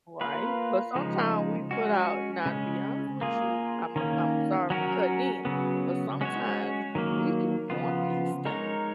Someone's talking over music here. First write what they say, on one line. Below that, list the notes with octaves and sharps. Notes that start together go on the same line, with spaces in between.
Right, but sometimes we put out now to be honest with you, I'm a I'm sorry for cutting in, but sometimes we can want these things,
A#3 F4 B4
C#3 F3 G#3 D#4
G#3 C#4 F#4
C#3 G#3 C#4
A#3 F4 G#4
D#3 A#3 C#4
F#3 C#4 F#4 A#4
C#3 F#3 B3
G#3 C#4 F#4 C#5
D#3 F#3 A#3
C#3 F3 B3 F4
G#3 D#4 A#4 C#5